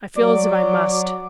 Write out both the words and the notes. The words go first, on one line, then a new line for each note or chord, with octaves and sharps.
I feel as if I must.
F#3 D5